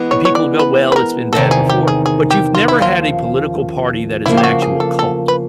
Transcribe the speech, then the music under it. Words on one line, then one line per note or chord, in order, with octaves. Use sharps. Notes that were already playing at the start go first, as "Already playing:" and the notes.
and people go, "Well, it's been bad before," but you've never had a political party that is an actual cult
Already playing: E3 G#3 B3
C#5
C#5
D5
B4
B4
A#4
E2 C3 D#3 A4
G#4
G4
G#4
G#4
G4
F4
E4
D#2 C#3 F3 F4
E2 C#3 F3 A#3 E4
G4
F#4
G#4
A4
A4
B4